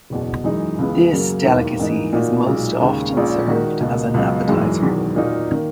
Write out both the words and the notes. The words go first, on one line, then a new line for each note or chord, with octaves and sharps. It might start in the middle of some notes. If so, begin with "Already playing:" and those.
This delicacy is most often served as an appetizer.
F#1 E2 B2
F#2 E3 G#3 D#4
C#2 C#3 E3 G#3 B3
F#2 C#3 F#3 A#3
E1 D#2 D#3 A#3 E4
G#2 E3 A#3 D#4
A#2 A#3 D#4 F#4
B1 A#2 G#3
D#2 C#3 G#3
A#1 A#2 G#3 C#4
D#3 G#3 D#4 F#4 A#4
C#2 B2 A#3
C#2 B2 F#3
G#1 F#2 E3 G#3
E1 E2 D#3 F#3
A#2 A#3 D#4 F#4 A#4
D#3 A#3